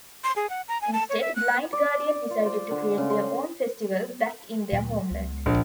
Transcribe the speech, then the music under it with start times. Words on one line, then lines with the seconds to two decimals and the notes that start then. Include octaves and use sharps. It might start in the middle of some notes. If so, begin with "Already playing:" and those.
Instead, Blind Guardian decided to create their own festival, back in their homeland.
0.24 C6
0.36 G#4
0.50 F#5
0.68 A#5
0.81 G#5
0.93 A5
1.10 C#5
1.21 E5
1.36 F#6
1.73 D5
2.30 F4
2.46 C5
2.71 D3
2.98 C#3
3.10 C6
4.72 D2 A#2 F#3
5.11 C#2 G#3 B3
5.46 A#1